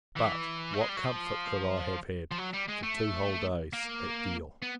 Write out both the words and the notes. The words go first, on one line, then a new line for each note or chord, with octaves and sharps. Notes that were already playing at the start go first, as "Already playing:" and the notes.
But, what comfort could I have had, for two whole days, at Deal?
E3
A3
G#3
G3
F#3
F3
F3
F#3
G3
G#3
A3
A#3
B3